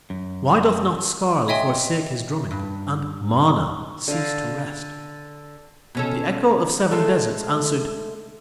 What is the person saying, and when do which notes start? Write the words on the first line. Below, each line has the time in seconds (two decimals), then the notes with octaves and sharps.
Why doth not Skarl forsake his drumming, and MANA cease to rest?" and the echo of seven deserts answered: "Who knows?
0.10 F#2
1.48 C#5 D#5 E5 G5 G#5 C6
2.51 G2
4.08 D3 F5
5.95 B2 C#4 A4
6.91 G#3 A3 A4